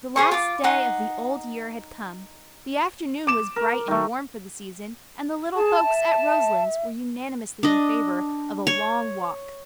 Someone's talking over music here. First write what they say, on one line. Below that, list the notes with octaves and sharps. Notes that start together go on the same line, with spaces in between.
The last day of the old year had come; the afternoon was bright and warm for the season, and the little folks at Roselands were unanimously in favor of a long walk.
G#4 C5 C#6
F4 D6
D#4 F#5 C6
D6 E7
A#4
D#3 A3
G#4 A5
E5
D4 D#5
C#5